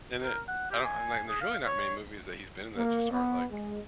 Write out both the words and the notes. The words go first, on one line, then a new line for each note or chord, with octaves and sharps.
and it I don't um, like, there's really not many movies that he's been in that just aren't, like,
A#4
F#5
G4
G#5
G#4
F5
C#5
A#3
B3
G#3